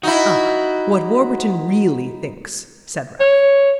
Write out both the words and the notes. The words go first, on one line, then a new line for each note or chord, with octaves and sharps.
"Ah, what Warburton really thinks--!" said Ralph.
D#4 E4 F#4
C#5